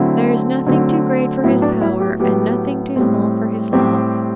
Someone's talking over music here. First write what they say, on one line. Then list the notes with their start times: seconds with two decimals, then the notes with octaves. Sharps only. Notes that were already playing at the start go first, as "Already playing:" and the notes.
"There is nothing too great for his power, And nothing too small for his love!"
Already playing: D3 F#3 A3 C4 E4
0.67 D3 F#3 A3 C4
1.44 A2 F#3 B3 E4
1.62 D4
1.81 E4
2.00 G4
2.20 A2 F#3 B3 G4
2.96 A2 G3 C4
3.73 A2 G3 C4 G4